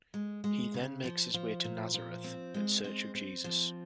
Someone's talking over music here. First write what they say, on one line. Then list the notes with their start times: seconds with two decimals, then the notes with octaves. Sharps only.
He then makes his way to Nazareth in search of Jesus.
0.14 G#3
0.44 G#3
0.74 C#3
1.04 F3
1.34 F3
1.64 A#2
1.94 F3
2.24 C4
2.54 G#3
2.84 C4
3.15 C4
3.44 F3